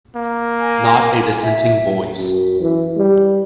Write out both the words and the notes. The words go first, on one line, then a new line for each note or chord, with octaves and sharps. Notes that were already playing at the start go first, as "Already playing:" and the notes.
Not a dissenting voice.
A#3
G#5
E5
F#2
E3
G3